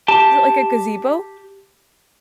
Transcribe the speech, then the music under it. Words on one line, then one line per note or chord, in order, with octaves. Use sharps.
Is it like a gazebo?
G4 A5